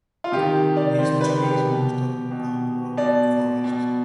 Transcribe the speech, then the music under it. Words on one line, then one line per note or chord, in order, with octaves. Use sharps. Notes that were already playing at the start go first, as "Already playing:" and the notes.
This tree is most often found growing in forests.
F4
C3 D#3 G4
D5
C3 D#3 C5
B4
G4
B2
B2
B2 D5
B2